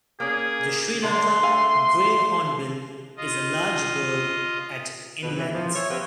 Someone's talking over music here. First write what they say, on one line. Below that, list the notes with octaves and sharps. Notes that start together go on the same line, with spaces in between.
The Sri Lanka grey hornbill is a large bird at in length.
A#3 C#4 G#4
D3 G#3 C6
A3 F5 G#5
F4 D#5
F2 B2 B4
E3
F3
C#5 E5
F3 A#3 C4 G4 B4 F5